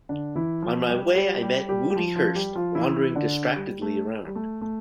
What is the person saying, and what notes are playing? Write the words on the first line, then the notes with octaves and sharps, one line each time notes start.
On my way I met Moody Hurst wandering distractedly around.
D3 D4
E3 E4
F3 F4
G3 G4
G3 G4
G3 G4
G3 G4
G4
F3 F4
F3 F4
G3 G4
F3 F4
E3 E4
D3 D4
G3
A3
G3
A3
A3